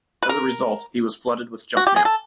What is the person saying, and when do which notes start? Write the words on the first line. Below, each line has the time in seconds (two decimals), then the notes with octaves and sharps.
As a result, he was flooded with junk mail.
0.23 B4
0.29 A#4
1.77 F#4
1.87 G4
1.96 G#4
2.05 A4